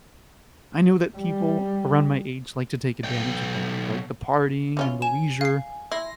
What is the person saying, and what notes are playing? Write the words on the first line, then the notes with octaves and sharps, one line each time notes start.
I know that people around my age like to take advantage of that, like the partying and the leisure,
G3
B1 G5
E3 C#4 F4
G#5 E7
F5 C7
E4 C6 A#6